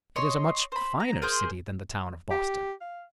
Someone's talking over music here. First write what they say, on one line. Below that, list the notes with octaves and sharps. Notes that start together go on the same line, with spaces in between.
It is a much finer city than the town of Boston.
C#5 D#5 C6 C#6
C5 B5
A#5
A#3 G#4 C5 G6
G4
F5